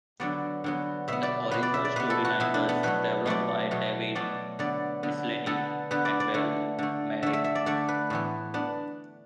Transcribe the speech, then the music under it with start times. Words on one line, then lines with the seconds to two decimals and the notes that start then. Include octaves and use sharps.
The original storyline was developed by David Michelinie and Val Mayerik.
0.20 D3 F#3 B3 D5
0.64 D3 F#3 B3
1.08 B2 B3 E5
1.23 D5
1.51 B2 B3 B4
1.63 D5
1.74 E5
1.85 D5
1.96 B2 B3 B4
2.10 A4
2.25 F#4
2.40 B2 B3 E4
2.54 D4
2.69 B3
2.83 B2 F#3 A3 B4
3.26 B2 F#3 A3 D5
3.71 B2 F#3 A3
4.15 B2 F#3 A3 D5
4.59 D3 B3 D5
5.03 D3 B3
5.46 D3 B3 A4
5.91 D3 B3 B4
6.05 D5
6.20 D5
6.34 D3 A3
6.79 D3 A3
7.23 D3 A3 E5
7.33 E5
7.44 E5
7.55 D5
7.66 D3 A3 D5
7.88 B4
8.10 A2 E3 B3
8.54 B3 D4